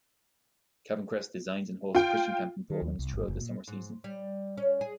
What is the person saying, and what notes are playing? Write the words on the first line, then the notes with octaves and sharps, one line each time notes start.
Calvin Crest designs and hosts Christian camping programs throughout the summer season.
F4 G5
D#3
D#2
C2
G#1
F#1
A#2
G#2
G3
C#4
G#4